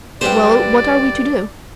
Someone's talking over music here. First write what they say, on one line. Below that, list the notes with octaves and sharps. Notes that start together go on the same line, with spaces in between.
"Well, what are we to do?"
G2 G4 G#4 B4 C5 D5 G5